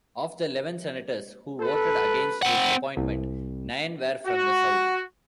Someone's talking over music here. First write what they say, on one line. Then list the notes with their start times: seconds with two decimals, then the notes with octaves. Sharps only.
Of the eleven senators who voted against his appointment, nine were from the South.
1.60 A4 B4
2.42 C4 F#5
2.97 C2
4.27 F#4